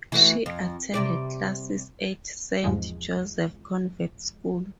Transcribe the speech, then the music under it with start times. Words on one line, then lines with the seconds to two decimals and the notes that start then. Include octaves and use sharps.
She attended classes at Saint Joseph Convent School.
0.12 E3 A3 F#4
0.46 F2
0.94 C3 G3 D5
2.64 E2 G#2 C3 F3 G#3